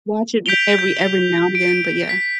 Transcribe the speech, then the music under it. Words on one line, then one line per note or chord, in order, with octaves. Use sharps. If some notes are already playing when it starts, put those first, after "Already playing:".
Watch it o every every now and again, but yeah.
G6 B6 D7 F7 G7
G6
D7
B6